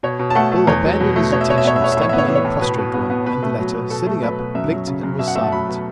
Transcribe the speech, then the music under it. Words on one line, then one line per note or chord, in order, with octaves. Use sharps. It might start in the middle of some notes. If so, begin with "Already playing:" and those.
Bill abandoned his intention of stamping on the prostrate one, and the latter, sitting up, blinked and was silent.
B2 C#5
B2
A5
A3 F#5
A3
E2 C#5
F#3
B2
A3
B2 C#5
E5
B2 C#5
E5
B3 C#5
E5
B3 C#5
E5
A2 C#5
B3 E5
C#5
E3 E5
C#5
A2
B2 B4
B2
B3
B3
B2 B4
A3
F#3
B2
B2 A4
A3
F#3 B4
B2
F#2 E5
F#3
C#3
F#2
B2 E5
F#5
A3 E5
A5
F#3 B5
B2